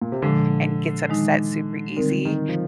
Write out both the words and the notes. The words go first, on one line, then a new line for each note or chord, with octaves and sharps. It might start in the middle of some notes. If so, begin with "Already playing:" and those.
and gets upset super-easy,
A#2
C3
A#2 D3 F3 G#3
D#3 G#3 D#4
D3 G3 C4 D#4 A#4
D#3
F3